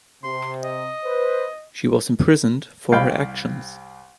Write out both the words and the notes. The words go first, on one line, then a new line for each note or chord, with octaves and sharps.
She was imprisoned for her actions.
C3 C6
D#5
B4 C5
C2 F5 G5 B5